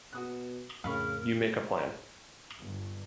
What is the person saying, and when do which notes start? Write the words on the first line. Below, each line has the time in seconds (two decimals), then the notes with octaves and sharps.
You make a plan.
0.13 B2 F#4 D#6 F#6
0.84 F2 A2 C#3 A#4 F5 B5 C#6
2.61 G1